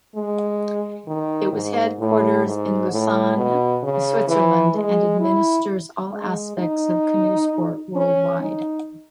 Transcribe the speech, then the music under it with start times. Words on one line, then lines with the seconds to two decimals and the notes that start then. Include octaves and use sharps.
It is headquartered in Lausanne, Switzerland, and administers all aspects of canoe sport worldwide.
0.16 G#3
1.07 D#3
1.53 G#2
1.99 A2
2.45 G#2
2.91 A2
3.37 B2
3.83 C#3
4.28 E3
4.74 G#3
5.20 E4
6.12 G#3
6.58 D#4
7.96 C#4
8.41 D#4